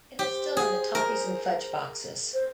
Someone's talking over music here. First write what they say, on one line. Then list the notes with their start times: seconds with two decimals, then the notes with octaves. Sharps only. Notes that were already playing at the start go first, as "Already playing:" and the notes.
It is still in the Toffees and Fudge boxes.
0.19 G4 C5 C#5
0.57 G#4
0.95 A#4
2.34 C5